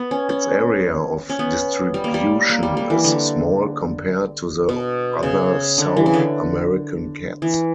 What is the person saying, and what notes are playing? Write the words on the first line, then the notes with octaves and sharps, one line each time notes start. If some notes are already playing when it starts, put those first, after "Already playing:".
Its area of distribution is small compared to the other South American cats.
Already playing: B3
C#4
C#4
C#4
B3
G3
A#3
G3
A#3
G3
G3
E3
D3
B2
C#3
D3
E3
C#3
D3
E3